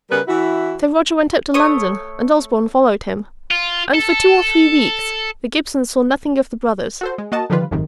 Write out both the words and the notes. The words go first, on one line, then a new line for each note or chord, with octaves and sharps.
So Roger went up to London and Osborne followed him, and for two or three weeks the Gibsons saw nothing of the brothers.
C#3 G3 A#4 B4
E3 E4 F#4
A3 C#5 D#6
F4
A4
F#4 A4 C5
G#3
A#3 F#4 D#5 A5
D3 D#3 F3 G3 F4 B4
G#1 F#2 A2 C3 D#3